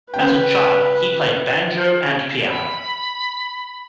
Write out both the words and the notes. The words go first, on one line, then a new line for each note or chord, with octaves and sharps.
As a child, he played banjo and piano.
C#3 C#4 B4 G5
B5